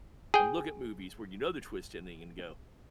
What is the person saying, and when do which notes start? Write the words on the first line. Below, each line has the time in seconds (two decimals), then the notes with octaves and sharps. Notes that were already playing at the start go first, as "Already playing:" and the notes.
and look at movies where you know the twist ending and go
0.34 G#4 G5